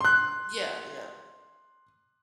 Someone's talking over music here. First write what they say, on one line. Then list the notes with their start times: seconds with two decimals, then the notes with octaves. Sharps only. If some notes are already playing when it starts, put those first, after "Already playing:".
Yeah, yeah.
0.01 C6 F#6